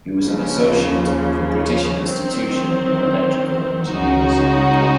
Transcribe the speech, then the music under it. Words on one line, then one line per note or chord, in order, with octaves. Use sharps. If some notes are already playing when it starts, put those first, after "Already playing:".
He was an associate of the British Institution of Electrical Engineers.
D#2 C#3 F3
D#3 F#3 C4
C#2 C#3 G#3 D#4 F#4